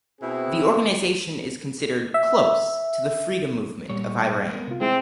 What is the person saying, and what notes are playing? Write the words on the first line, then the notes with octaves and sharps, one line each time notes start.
The organization is considered close to the Freedom Movement of Iran.
B2 C4 E4 G#4
E5
A#2 G3 C#5
G#3 B3 A#4
C3 F4
G#3 C4 E4 G#4 E5